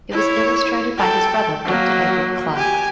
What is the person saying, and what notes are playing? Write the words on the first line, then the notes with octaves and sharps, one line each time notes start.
It was illustrated by his brother Dr Edward Clarke.
E4 C#5
A4 G5
F#3 A#3
G4 G#5